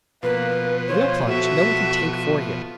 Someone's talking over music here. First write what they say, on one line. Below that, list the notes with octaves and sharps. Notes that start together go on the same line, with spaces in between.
The real plunge no one can take for you.
B2 F3 A#3 B4
F4 C5 C#5
F#4 A4 E5